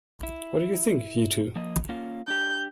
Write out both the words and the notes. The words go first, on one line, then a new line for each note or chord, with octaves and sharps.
What do you think, you two?
E4
F3 A#3 D#5
A#3 C#4 F4
D4 G4 G6